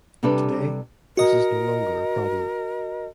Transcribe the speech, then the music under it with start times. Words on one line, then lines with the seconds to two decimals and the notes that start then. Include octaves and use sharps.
Today, this is no longer a problem.
0.23 C3 G3 D4 A4 B4
1.17 F#4 A#4 D#5